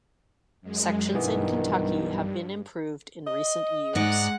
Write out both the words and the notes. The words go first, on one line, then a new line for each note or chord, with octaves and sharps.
Sections in Kentucky have been improved in recent years.
F#2 G#3
B1 G2 D#3 E3 B3
D#5
G#2 G#3 D#4 D5 F#5 F#6